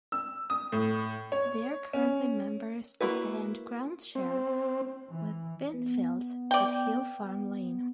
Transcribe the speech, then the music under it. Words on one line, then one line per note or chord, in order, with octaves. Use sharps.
They are currently members of the and groundshare with Binfield at Hill Farm Lane.
E6
D#6
A2
C#5
C#4
A#3 E4 F#4 B4
C4
E3
B3
D5 G5